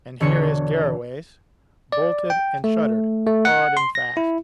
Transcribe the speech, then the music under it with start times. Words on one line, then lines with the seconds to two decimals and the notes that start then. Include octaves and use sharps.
And here is Garraway's, bolted and shuttered hard and fast!
0.20 E1 D3 C#5 C#7
1.92 D5
2.30 G5
2.64 A3
3.26 A3
3.45 F#5
3.77 C6
3.95 A#6
4.17 E4